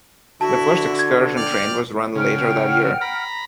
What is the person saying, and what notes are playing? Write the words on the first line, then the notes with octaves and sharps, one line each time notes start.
The first excursion train was run later that year.
D3 E4 F#4 A5
G#6
D5 G5 F6
C#3 F#5 G5 F6
A#5 B5